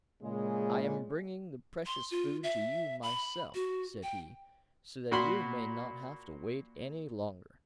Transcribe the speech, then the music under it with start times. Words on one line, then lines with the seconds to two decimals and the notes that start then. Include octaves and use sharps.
'I am bringing the precious food to you myself,' said he, 'so that you may not have to wait any longer.'
0.22 A#2 C#3 G#3
1.86 C6
2.11 F4
2.43 E5
3.02 B5
3.54 F#4
4.03 G5
5.12 A#2 F#4 B5 C6